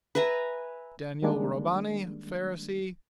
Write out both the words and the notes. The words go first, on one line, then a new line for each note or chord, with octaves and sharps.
Daniel Robani, Pharisee.
B4 E5 G#5 A#5
D#3 G3 G#3 A#3 D4